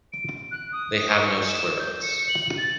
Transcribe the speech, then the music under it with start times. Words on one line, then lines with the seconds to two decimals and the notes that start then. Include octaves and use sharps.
They have no sclerites.
0.13 D7
0.51 F#6
0.72 D#6
1.10 C#6
1.49 E7
1.79 G6
2.02 C#7
2.29 F#7
2.58 A6